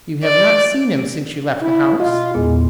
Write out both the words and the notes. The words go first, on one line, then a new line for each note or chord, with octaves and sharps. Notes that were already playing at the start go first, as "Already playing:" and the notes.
"You have not seen him since you left the house?"
D5
E4
B2 F4 D#5
E2 A#2 G#3 B3